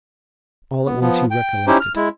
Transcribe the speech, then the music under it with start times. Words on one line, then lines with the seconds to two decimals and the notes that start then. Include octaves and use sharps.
All at once he recollected.
0.87 B3
1.01 F3 B3
1.31 G5
1.67 C#4 D#4 E4 G4 C5
1.80 F6
1.96 G#3 E4